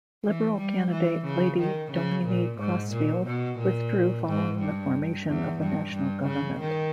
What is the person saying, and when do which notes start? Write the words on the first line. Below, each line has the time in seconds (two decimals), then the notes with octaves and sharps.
Liberal candidate Lady Domini Crosfield withdrew following the formation of the National Government.
0.25 E3
0.58 G3
0.92 E3
1.26 C#3
1.59 D#3
1.92 C#3
2.26 A#2
2.59 G#2
2.92 A#2
3.26 B2
3.59 A#2
4.26 G#2
4.59 G2
5.27 E2
5.60 G2
5.94 G2
6.27 C#3
6.60 D#3